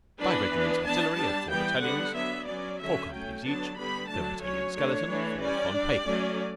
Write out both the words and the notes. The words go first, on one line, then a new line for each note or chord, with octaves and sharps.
Five regiments artillery at four battalions, four companies each; third battalion, skeleton; fourth on paper.
E3 B3 D4 B4
E3 B3 D4
E3 B3 D4 A5
G3 D4 A5
E3 G3 B3 G5
D3 G3 B3 D4 F#5
F#3 B3 D4 E5
F#3 C#4 D5
D3 F#3 C#4 E5
F#3 A3 C#4 G5
D3 F#3 B3 D4 A5
D3 G3 B3 D4 B5
D3 F#3 A3 D4 A5
F#3 C#4 C#5
D3 A3 D4 C#5
E3 A3 D4
G3 C#4 D5
G3 D4
F#3 A3 C#4